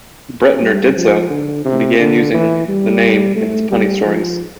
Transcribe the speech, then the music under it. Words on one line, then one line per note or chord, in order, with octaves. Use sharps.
Bretnor did so, and began using the name in his punny stories.
G3
F3
D3
C3
D3
E3
G3
A3
G3
F3